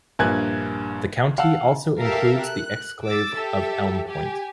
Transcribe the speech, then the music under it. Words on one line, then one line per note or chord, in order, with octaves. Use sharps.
The county also includes the exclave of Elm Point.
A#1 G2 A#3 G#5 F#6 G#6
F5 F#5 A5 E6
G4 A4 A#4 E5 F5
F#6
D6 E6 A6
G4 A4 E5
G4 G#5